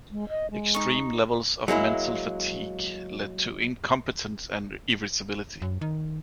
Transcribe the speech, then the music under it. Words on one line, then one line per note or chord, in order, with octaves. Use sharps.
Extreme levels of mental fatigue lead to incompetence and irritability.
G#3
D#5
G#3
D#4 C#6
F#3 G#3 A#3 E4
F#2
D#3